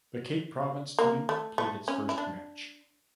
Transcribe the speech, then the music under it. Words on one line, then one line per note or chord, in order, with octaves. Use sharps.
The Cape Province team played its first match.
A#3
A3
A3
C#4
E4
D4